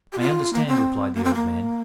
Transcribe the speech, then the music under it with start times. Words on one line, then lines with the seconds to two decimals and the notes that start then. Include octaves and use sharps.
"I understand," replied the old man.
0.13 G4
0.20 F4
0.53 A#3
0.67 C4
1.15 A#3
1.24 C4
1.35 A#3